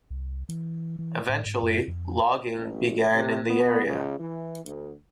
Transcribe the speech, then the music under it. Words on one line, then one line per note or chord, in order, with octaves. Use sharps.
Eventually, logging began in the area.
C2
E3
E3
A2
G#2
F#2
F2
A1
C3
B3
C#2
E3
D2